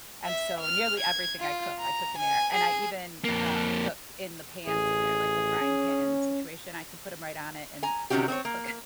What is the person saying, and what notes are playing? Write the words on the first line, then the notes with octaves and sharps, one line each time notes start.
and so nearly everything I cook, I cook in there, and I even, um, cook in the pans in there, like, the frying pan situation. I can put 'em right on it and and it will cook
E5
F6
G#6
F4
A#5
G#5
G#4
F2 A#3
A1 G#4
C#4
G#5 A#5
C3 D#3 A3 C#4 F#4 G4
C4 D4 C#5
A#3